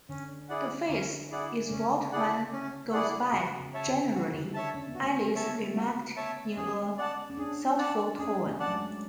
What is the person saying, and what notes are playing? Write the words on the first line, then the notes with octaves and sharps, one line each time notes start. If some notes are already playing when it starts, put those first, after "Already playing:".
"The face is what one goes by, generally," Alice remarked in a thoughtful tone.
D3 C#4
E4 G#4 D5 F#5
D3 C#4
E4 G#4 D5 F#5
C#3 C#4
E4 G#4 D5 F#5
C#4
E4 G#4 D5 F#5
C#3 F#4
C#3
C#5 E5 A5
D3
C#3 F#4
D3
C#5 E5 A5
C#4
B3
F#4
A3
B3
C#5 E5 A5
F#4
C#5 E5 A5
C#4 G#4
D5 F#5 A5
C#4
D4 G#4
D5 F#5 A5
C#4 G#4
A3
D5 F#5 A5
F#3
G#3